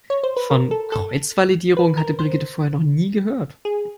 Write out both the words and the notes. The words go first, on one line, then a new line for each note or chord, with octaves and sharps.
Von Kreuzvalidierung hatte Brigitte vorher noch nie gehört.
C#5
C5
B4
A#4
A4
A4
B4
A#4
C5
G#4